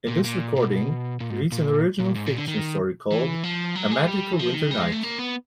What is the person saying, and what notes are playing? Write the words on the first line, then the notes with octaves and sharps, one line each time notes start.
In this recording, he reads an original fiction story called "A Magical Winter Night".
A#2
A#2
B2
A#2
G#2
A#2
A#2
G#2
A#2
D3
D#3
E3
F3
F#3
G#3
G3
E3
F3
D#3
G3
G#3
A3
A#3
B3